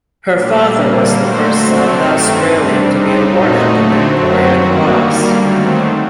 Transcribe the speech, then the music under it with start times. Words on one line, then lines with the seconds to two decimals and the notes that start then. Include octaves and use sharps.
Her father was the first South Australian to be awarded the Victoria Cross.
0.30 A#2 G3 A#3 D4
0.72 D3 G3 A#3
1.15 F#3 A3 C4 F#4 C5
1.58 C3 F#3 A3 C4
1.99 G2 D#3 A3 C4
2.42 C3 G3 D4
2.85 G3 C4 D#4
3.27 A#2 A3 D#4 F#4
3.70 D3 F#3 A3 C4
4.13 F#2 F#3 C4 F#4
4.55 G2 D#3 G3 A#3 F#4
4.97 D3 G3 A#3
5.40 D#3 F#3 A3 C4